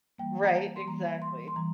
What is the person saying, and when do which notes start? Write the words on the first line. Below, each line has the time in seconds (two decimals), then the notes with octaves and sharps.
Right. Exactly.
0.18 E3 G3 A#3 G5
0.44 A#5
0.53 A5
0.76 C6
0.87 E3 G3 A#3 A#5
1.22 C6
1.48 C6
1.56 E3 G3 A#5